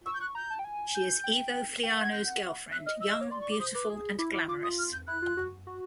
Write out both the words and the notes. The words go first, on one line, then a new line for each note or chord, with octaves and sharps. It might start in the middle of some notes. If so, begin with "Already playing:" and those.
She is Ivo Flaiano's girlfriend, young, beautiful and glamorous.
C#6 E6
G6
C#6 F#6
A#5 G6
A5
G5
G#5
G6
G5
G5
F#5
F5
F#5 G#6
G6
E5 F#6
D#5 F6
D#5 E6
C#5
D5 C6
C#6
D6
C5 D#6
B4 D6
G#4
E4 D6
E4 D6
F4 D6
D#6
F6
G6
E4 F#6
F4
F#4
F#4